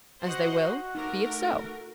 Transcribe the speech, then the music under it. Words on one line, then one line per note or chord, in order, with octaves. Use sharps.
As they will. Be it so.
F#4 C5 D#5 F#5
A3 D#4 A#4 D6